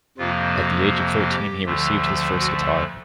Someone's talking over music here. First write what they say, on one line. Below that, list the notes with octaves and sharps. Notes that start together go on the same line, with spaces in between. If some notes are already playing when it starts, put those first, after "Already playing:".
At the age of thirteen he received his first guitar.
F2 C3 F3 A#3 F4
F#4
F#4
G4
D2 D3 F3 A3
F#4